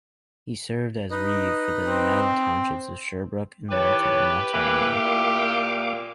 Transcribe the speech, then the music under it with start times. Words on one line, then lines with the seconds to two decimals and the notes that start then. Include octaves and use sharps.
He served as reeve for the United Townships of Sherbrooke and Moulton in Ontario.
1.11 D#4 B4 D#5
1.87 C4
3.71 D#3 E4 G4 B4 C#5 A5
4.54 E3 A3 A#3 E4 B4 E5 F5 D6
5.05 A#2